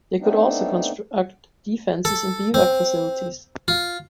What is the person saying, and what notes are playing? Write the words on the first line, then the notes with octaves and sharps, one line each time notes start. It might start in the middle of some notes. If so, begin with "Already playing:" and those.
They could also construct defenses and bivouac facilities.
A3 B3 C4 D4 D#4
A4
C4
F4